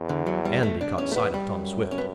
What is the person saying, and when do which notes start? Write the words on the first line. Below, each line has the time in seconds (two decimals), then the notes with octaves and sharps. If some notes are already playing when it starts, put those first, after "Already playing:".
Andy caught sight of Tom Swift.
Already playing: E2
0.09 D3
0.27 F#3
0.45 G3
0.63 A3
0.81 D4
0.98 E2 C#4
1.12 A3
1.16 B3
1.34 G3
1.51 F#2
1.91 C#4
1.98 B3